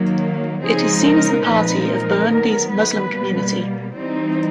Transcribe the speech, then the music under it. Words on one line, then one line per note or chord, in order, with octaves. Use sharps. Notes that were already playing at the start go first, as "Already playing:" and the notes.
It is seen as the party of Burundi's Muslim community.
Already playing: D#3 F#3 A#3
C#3 F3 G#3 C4 D#4 G#4
A#4
A#2 F3 G#3 C4 D#4 B4
A#4
D#3 F#3 B3
B4
B2 G3 A#3
E3 G3 C4 D#4